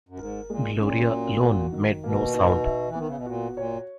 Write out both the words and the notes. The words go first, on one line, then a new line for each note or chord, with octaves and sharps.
Gloria alone made no sound.
F#2
G#2 A#4
A#2 G#3
A#2 C#4
F#4
F#4
D#3
B2 A#3
D#4
E5
E3
D#3 B3
C#3
B2
A#2 F#4
A#2 C#5